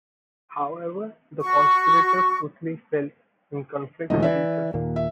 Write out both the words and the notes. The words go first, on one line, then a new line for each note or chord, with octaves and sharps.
However, the conspirators quickly fell in conflict with each other.
F#4 C#6
E1 B1 E2 D3 A3 D#5
E3 D5 E5
D#2 A#2 A#3
E5